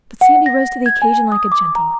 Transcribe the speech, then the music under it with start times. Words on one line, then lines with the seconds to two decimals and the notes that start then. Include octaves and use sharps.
But Sandy rose to the occasion like a gentleman.
0.21 F#5
0.46 A#6
0.86 G#6
1.02 G#5
1.32 D#6
1.52 D6
1.75 A#5